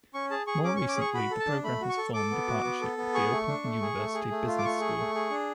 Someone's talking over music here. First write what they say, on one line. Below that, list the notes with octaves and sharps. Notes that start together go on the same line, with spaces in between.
More recently the programme has formed a partnership with the Open University Business School.
C#4 C#6
G#4 A5
G#4 C#6
C#4 D6
C#6
C#4
D6
G#4 C#6
F#4 B5
A4
A5
D4
A3 B5
F#4
C#6
A4
A4 D6
B3
F#4
B3
A4
B3
G#4 C#6
A3
D4
A3
G#4
A3
G#4
A3
F4
D6
A3 C#6
G#4
A3
G#4
D4